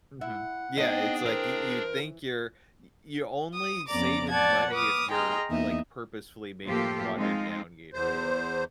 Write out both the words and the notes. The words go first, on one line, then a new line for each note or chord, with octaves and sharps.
Mhm. Yeah, it's, like, y you think you're y you're only saving money if you're, like, purposefully making watered down Gatorade.
E4 F#5
B3 C4 D4 D#4 G#4 D#5 G5
E3 A#4 C5
D#6
F2 B3 C#4 D5 A#5 D6
D5 F#5 A5 G#6
B4 D6 D#6 F6
G#4 D#5 G5 A#5 C6 F6
E2 A#3 D#4 D#5 E5
A2 F3 A#3 F4 G4 A4
F3 G#3 C4 D#4 F4
E2 C5